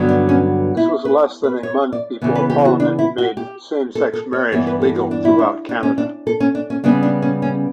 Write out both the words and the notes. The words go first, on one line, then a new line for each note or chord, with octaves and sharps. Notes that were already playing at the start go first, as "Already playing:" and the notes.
This was less than a month before Parliament made same-sex marriage legal throughout Canada.
Already playing: G2 D3 F#3 B3
D4
C#4
E4
B4
B4
C#5
D5
C#3 E3 B3
B4
G4
F#4
D4
E4
F#4
G4
A4
A4
C#5
G2 E3 B3 C#5
B4
A4
F#4
D4
E4
D4
D4
C#4
D4
A4
C#4
D4
C#4
C#3 G3 B3 D4
D4
C#4
C#4